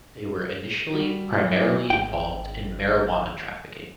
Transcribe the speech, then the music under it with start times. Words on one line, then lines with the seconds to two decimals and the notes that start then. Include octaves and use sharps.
They were initially primarily involved in marijuana trafficking.
0.94 G3 F#4
1.43 F#2 E3 F#3
1.60 A2 C4
1.90 G#1 G5